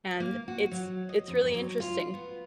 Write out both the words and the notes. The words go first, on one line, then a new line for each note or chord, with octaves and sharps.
and it's it's really interesting.
A#3
F#4
F#3
D#5
F2
G2
F#3
F4
B3